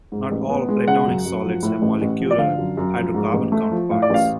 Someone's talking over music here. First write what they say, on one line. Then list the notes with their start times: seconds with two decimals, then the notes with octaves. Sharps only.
Not all Platonic solids have molecular hydrocarbon counterparts.
0.12 G#2
0.31 A1
0.50 B3
0.69 G#3
0.87 C#3 F#5
1.07 F#2
1.26 F#2
1.44 F3
1.63 A2
1.82 A1
2.01 A1
2.20 F3
2.31 D5
2.38 D3 F5
2.58 F#2
2.77 F#2
2.96 F3
3.14 G#2
3.33 A1
3.52 A3
3.71 F3
3.90 A2 F5
4.02 D5
4.10 A1 F5